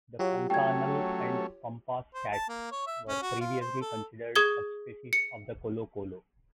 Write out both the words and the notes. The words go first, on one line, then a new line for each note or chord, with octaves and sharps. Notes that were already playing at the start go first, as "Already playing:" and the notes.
The Pantanal and Pampas cats were previously considered subspecies of the colocolo.
F#3 F4 G4 C#5
F#3 A3 C#4 G5 G#6
C5
A5
A#3
C#5
E5
C#4
F#4
F4
C5
A4
G#4 D#6 G#6 G7
C#7